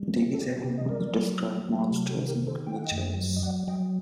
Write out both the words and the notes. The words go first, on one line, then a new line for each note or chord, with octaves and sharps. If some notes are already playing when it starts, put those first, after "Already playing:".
These handbooks describe monsters and creatures.
Already playing: G3
C4
A4
C4 G4
C3 G4
D#5
G3 A#4 D5
F#3
A3
F#3
C3 G4
F#4 A4
D#3
G4 A#4
D#3
A4 C5
A3 G5
F#5
D#5 G5
F#2
F#3
D#5
F#3 D5 F#5
F#3 D#5 G5